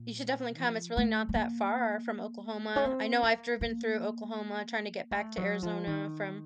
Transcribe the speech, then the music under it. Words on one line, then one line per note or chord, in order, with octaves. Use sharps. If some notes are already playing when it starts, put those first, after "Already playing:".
you should definitely come, it's really not that far from Oklahoma. I know I've driven through Oklahoma trying to get back to Arizona from,
Already playing: A#2
F3
A3
A3
A#3
C#4
C4
A#3
A#3
A3
F#3
F3
D#3